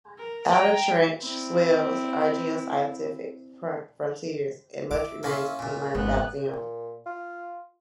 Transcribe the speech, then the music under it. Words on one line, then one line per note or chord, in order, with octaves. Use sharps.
Outer trench swells are geoscientific frontiers and much remains to be learned about them.
A#4
G5 A#5
C4 E4
E4 E5 D6
A#3 C#4 F4
C#2 A#2
G#1 B3 F#6
A#2
F4